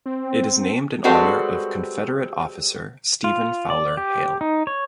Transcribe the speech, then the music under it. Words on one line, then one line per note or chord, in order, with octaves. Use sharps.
It is named in honor of Confederate officer Stephen Fowler Hale.
C4
G3 G#3 C4 F#4 A4 B4
F4
D5
G4
D#4
C#5